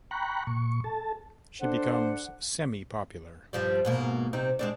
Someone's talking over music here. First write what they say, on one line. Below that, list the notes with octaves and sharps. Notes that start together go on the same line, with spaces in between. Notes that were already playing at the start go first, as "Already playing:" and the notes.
She becomes semi-popular.
G5 A#5 B5 C#6 F#6
A#2 C#6
A4 A5
D4 A4 C5 F#5
G2 F3 G3
G#2 B2 A#3
C3 C4 D#4
G#3 C4 D4